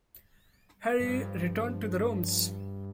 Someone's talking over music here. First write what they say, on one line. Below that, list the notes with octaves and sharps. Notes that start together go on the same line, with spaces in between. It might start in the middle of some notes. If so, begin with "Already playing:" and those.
Harry returned to the rooms.
G2 F3